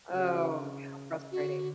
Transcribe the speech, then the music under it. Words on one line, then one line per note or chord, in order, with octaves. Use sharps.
Oh, how frustrating.
C#3 F#4
D3 F#4